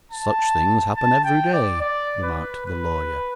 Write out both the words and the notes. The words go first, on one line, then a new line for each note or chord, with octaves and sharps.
'Such things happen every day,' remarked the lawyer.
A5
A5
G5
D5
D5
B4
B4